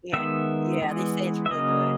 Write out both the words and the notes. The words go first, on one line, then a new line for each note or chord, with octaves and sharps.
Yeah, yeah, they say it's really good.
D#3 G#3 B3 E5
E3 G#3 B3
E5
C#3 F#3 A#3 C#4 D#5